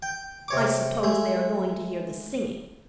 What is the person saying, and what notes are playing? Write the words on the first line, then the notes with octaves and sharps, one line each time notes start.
I suppose they are going to hear the singing.
G5
C3 C#5 D6
G#3 A3